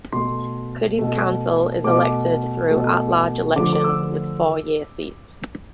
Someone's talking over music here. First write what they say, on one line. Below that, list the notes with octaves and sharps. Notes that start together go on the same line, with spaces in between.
Cudahy's council is elected through at-large elections with four-year seats.
B2 A3 C6
B2 A3
B2 A3 D6
B2 A3
D3 F3 A3 D6
D6
E6